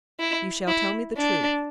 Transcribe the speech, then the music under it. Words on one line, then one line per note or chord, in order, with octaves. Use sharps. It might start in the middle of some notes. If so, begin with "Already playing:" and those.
"You shall tell me the truth."
E4
E4
D4